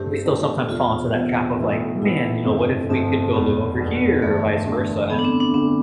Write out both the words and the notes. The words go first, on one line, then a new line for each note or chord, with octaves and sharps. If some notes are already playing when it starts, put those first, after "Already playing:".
we still sometimes fall into that trap of, like, "Man, you know, what if we could go live over here," or vice versa, and
Already playing: G1 G2 F3 A3 C4 G4
G1 G2 F3 A3 C4
E1 E2 B2 G3 C4 F4
E1 E2 B2 G3 C4
B1 A2 E3 B3
B1 A2 E3 B3 E4
G1 F2 C3 F3 A3
G1 F2 C3 F3 A3 C4
F1 E2 B2 G3 B3
F1 E2 B2 G3
G1 G2 E3 G3 A3
G1 G2 E3 G3
D2 D3 A3 B3
D4
C4
D4
D2 D3 A3 C4